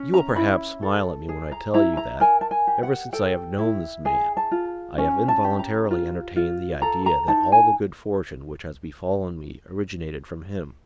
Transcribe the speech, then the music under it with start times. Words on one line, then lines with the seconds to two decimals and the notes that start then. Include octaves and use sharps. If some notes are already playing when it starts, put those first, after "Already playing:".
You will perhaps smile at me when I tell you that, ever since I have known this man, I have involuntarily entertained the idea that all the good fortune which has befallen me originated from him.
Already playing: C#4
0.14 A#5
0.36 E4 B5
0.83 A4
1.29 G#4
1.52 A#5
1.74 E4 A#5
1.97 A#5
2.20 A#4 G#5
2.41 A5
2.51 G#5
2.67 G4
2.83 F#5
3.13 A4 G5
3.59 E4
4.05 G#4 G#5
4.37 A5
4.51 F4
4.98 C#4 G#5
5.28 A5
5.45 G4
5.59 A#5
5.91 F4
6.36 F4
6.82 A4 A#5
7.06 A#5
7.28 D#4 A5
7.52 G#5